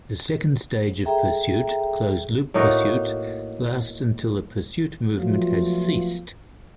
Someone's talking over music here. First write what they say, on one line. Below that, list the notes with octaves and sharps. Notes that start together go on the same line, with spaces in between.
The second stage of pursuit, closed-loop pursuit, lasts until the pursuit movement has ceased.
G#4 A4 E5 G5 A#5
A2 A#3 D#4 F#4
F3 F#3 A3 B3 F4